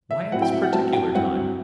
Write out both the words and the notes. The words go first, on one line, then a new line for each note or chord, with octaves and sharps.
"Why at this particular time?"
E5
A2 F#3 C4 E4 F#5
G5
E5
F#5
A2 F#3 C4 E4 A5
G5
G2 F#3 C4 E4 F#5